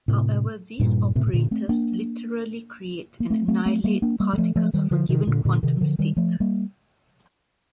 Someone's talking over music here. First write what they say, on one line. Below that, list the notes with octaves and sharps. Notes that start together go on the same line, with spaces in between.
However, these operators literally create and annihilate particles of a given quantum state.
A2 C3
G2 A#2
A2 C3
C3
A#2 D3
A3 C4
A#3 D4
A#3
A3 C4
A3 C4
A3 C4
G3 A#3
A#3 D4
G3 A#3
G3
F3 A3
F3 A3
D#3 G3
D3 F3
C3 D#3
A#2 D3
A#2 D3
C3 D#3
D3 F3
D#3 G3
F3 A3
G3 A#3